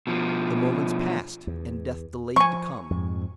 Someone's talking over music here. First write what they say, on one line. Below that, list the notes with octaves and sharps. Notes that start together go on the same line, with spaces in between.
The moments passed, and death delayed to come.
B2 F3
E2
F3 G#5 C#6
F2 G#2